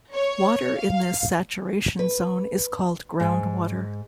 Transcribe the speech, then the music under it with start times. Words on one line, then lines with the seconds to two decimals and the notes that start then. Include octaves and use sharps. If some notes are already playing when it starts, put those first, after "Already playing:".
Water in this saturation zone is called groundwater.
0.13 C#5
0.78 F5
1.99 B4
3.20 G#2